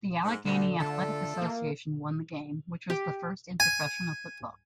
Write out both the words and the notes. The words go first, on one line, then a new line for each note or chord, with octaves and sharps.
The Allegheny Athletic Association won the game, which was the first in professional football.
G#2
D2 D3
D3 A3 F4 A4
A#3
G4
G#5